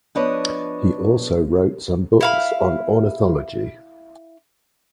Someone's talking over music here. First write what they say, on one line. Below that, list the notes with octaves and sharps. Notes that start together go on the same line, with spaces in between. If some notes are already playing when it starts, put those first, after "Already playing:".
He also wrote some books on ornithology.
F3 B3 D4 B4 C#5 D#5
E4 F5 B5